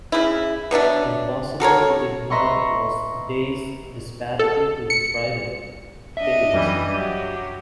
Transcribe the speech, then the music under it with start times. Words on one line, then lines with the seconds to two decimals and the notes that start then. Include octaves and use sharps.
Impossible to ignore was Day's disparity to his rival, Paige.
0.12 C#3 E4
0.71 B2 F#3 D4 E5
1.60 F#4 A4 A#4 C#5
2.30 B4 D#5 E5 A#5 C6 C#6
4.39 A4
4.90 C#7
6.17 D4 D#5 E5
6.54 F#2 E3 G3
6.93 F#3 G4